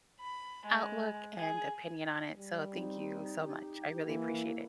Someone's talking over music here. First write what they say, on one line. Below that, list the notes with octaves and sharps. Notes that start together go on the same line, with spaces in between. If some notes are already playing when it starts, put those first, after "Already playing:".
outlook and opinion on it, so, thank you so much, I really appreciate it.
B5
G#3
G#4
G3
C4 D#4
G4
E3 A#3 E4